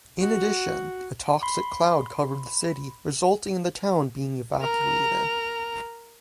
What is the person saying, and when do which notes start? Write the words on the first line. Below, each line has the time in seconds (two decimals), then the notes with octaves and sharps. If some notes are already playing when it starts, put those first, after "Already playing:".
In addition, a toxic cloud covered the city resulting in the town being evacuated.
0.21 F#4
1.43 B5 C6
4.61 A#4 A#5